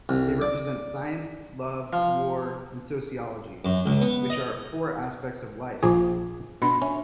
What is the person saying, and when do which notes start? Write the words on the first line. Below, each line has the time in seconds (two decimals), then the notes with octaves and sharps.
They represent science, love, war, and sociology, which are four aspects of life.
0.09 C2
0.42 D5
1.93 F3
3.65 F#2
3.86 C#2
4.01 B3
4.30 D#5
5.83 A#1 F3 F4 G#4 D6
6.62 B2 D4 B5 C6
6.82 C#4 E5